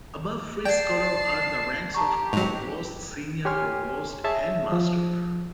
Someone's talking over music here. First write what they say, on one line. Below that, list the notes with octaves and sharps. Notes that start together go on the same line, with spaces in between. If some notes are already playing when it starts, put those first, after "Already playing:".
Above Free Scholar are the ranks of Provost, Senior Provost, and Master.
D5 G5 A5 C7
G4 A5 A#5 C#6
G#2 F#3 F7
G4 C#5 G#5 C6 F6
G#4 C#5 E5 A5
F3